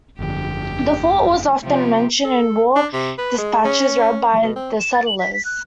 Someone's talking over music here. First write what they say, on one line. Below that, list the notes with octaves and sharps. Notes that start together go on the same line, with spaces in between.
The fort was often mentioned in war dispatches read by the settlers.
G1 F2 D3 G4
C3 F3 G4
A4
D4
C3
B4
G#3
C#4
B2
C4
E7
A6
F#7
B6
B6
F#6